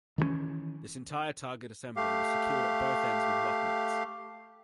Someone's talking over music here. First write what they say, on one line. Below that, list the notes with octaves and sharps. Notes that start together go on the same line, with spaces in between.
This entire target assembly was secured at both ends with locknuts.
D#3 E3 G3 C#4
A3 G4 F5